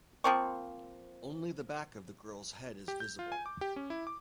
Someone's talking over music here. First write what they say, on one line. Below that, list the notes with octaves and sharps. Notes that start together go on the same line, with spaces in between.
Only the back of the girl's head is visible.
F3 A#3 C4 C#6
G4
G6
F4
G#5
D6
G4
C#4
E4
D6